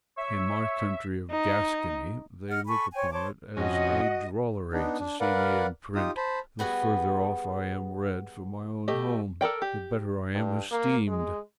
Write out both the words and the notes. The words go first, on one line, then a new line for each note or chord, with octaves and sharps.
In my country of Gascony, they look upon it as a drollery to see me in print; the further off I am read from my own home, the better I am esteemed.
C#5 E5
D#4
D#5 F#5 F6
A4 G#5 B5 C#6
C5 C#5 G5 G#5
C5 C#5 A5 D6
F2 C#4 F#4 D#5 F#5
B3 D4 D#4
D4
A#4 B4 D5 F5 F#5
D#4 F4 G4 D#6
C5 A5 B5
G3 B3 F#4 G#4
A3 G4 D#5
A4 A#4 D5 G5
G4
G2
A#3
G#3